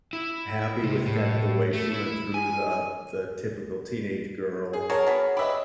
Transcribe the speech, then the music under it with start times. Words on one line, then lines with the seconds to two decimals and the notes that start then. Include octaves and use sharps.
happy with kind of the way she went through the the typical teenage girl
0.13 E4
0.83 C3
1.06 A2
1.73 A3
1.93 E4
2.34 G#5
4.73 G#4
4.90 F#4 A4 A#4 C#5
5.07 F#3 B3
5.37 G4 B4 D#5 E5 B5